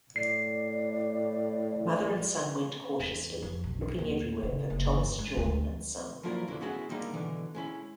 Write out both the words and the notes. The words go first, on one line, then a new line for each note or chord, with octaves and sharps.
Mother and son went cautiously, looking everywhere for “Thomas Jordan and Son”.
A2 D5 C7
E2
F2
B1
D#2
C#3
F#1
G2
G#3
D2
F3 F#3 A#3 E4 A#4 D5
F2 B2 D3 E4
B3 C#4 E4 F#4 G#4 E5
D#3 G3 G#3 A#3 D4 D#4
B2 D3 E3
G#3 C#4 E4